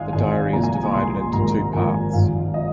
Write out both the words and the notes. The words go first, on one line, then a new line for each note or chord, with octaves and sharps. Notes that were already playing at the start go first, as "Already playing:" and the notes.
The diary is divided into two parts.
Already playing: G#1 G#2 G#3 F5 G#5
G#1 G#2 G#3 G#5
C2 A#2 F3 G#3 A#5
G#5
D#6
C2 A#2 F3 G#3 C6
G#1 G#2 F3 A#3 A#5
G#1 G#2 F3 A#3 G#5
G#1 G#2 F3 F5
F3 D#5